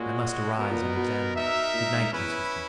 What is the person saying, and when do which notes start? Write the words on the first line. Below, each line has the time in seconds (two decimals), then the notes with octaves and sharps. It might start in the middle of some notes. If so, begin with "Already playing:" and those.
I must arise and examine. Good night, my sister.
Already playing: A#2 G#3 C#4 F#4
0.57 B2 B3 D#4 A#4
0.71 A#2
0.83 B2
0.96 B2
1.35 D#4 A#4 E5
1.73 A#2
1.93 G#2
2.12 E2 C#4 E4 B4